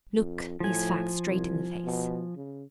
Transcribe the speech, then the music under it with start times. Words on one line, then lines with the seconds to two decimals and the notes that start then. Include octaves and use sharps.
Look these facts straight in the face.
0.15 F2
0.60 A2 F3 G#5
1.26 C2
1.84 B2
2.36 C#3